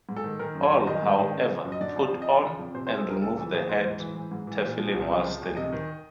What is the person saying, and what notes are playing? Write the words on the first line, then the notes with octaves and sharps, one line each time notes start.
All, however, put on and remove the head tefillin while standing.
G#2
A4
D#3
D#3 A#4
F#2
C#5
D#3
D#3 D#5
G#2
D#3
C#3
F3
F#2
D#5
D3 D5
F3
F2
D#5
C#3 D5
F3
F2
C3 C5
F3 C5
A4
C#2 A#4
C#3 A4
E3 A4
D#2 G#4
E3 C5
G#2
E3
E3
G#2
E3
A#2
F3
C2
C#3
F3
D2
C3 D#5
D#3